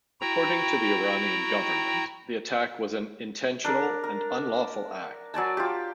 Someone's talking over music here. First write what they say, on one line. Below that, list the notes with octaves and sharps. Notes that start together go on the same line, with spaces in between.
According to the Iranian government, the attack was an intentional and unlawful act.
E4 F#4 G5 A#5
D4 A#4
A#4
F#3 D5 G#5 A5
F4 G4